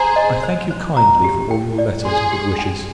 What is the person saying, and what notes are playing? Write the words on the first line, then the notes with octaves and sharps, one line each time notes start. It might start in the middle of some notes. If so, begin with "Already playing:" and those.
I thank you kindly for all your letters and good wishes.
Already playing: G#4 C5 A#5
D#5
C5
C5
A#5
G4
G5
D5
G#4 C6
G4
G5